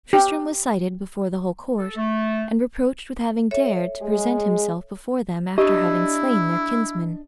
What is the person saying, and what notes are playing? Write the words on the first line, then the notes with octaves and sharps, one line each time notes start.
Tristram was cited before the whole court, and reproached with having dared to present himself before them after having slain their kinsman.
G4
A4
A3
A4 C#5 E5
G#3 G#4
D4 E4 G4 D#5